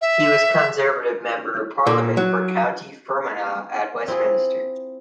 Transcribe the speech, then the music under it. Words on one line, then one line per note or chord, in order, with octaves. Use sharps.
He was Conservative Member of Parliament for County Fermanagh at Westminster.
E5
A#2
F#3
C4 E4 F4 G#4